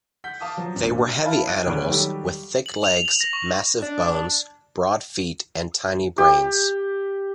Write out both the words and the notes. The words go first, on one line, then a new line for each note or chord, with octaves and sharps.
They were heavy animals, with thick legs, massive bones, broad feet, and tiny brains.
F#5 G6 B6
F5 A5 D6 D#6
F3 F#3
G#1 A#2 D4
E4 F5 A5 B5
F#6 D7 D#7
D2 B3 G#4 C#5 D5 D7
D#3 F#3 G3 G4 A4
F#7
F7
F#7
A#6
C#6
D4
G4